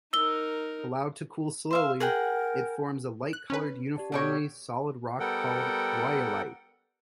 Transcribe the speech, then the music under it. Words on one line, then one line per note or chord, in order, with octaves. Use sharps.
Allowed to cool slowly, it forms a light-colored, uniformly solid rock called rhyolite.
D#4 A#4 E6 G7
C5 E5 F5
G#4 A#4 F#5 G5
F#6
C#4 B4
G4 D5 A5
B2 G4 A4 C#5
G3 B3 A4 A#4 F#5 G5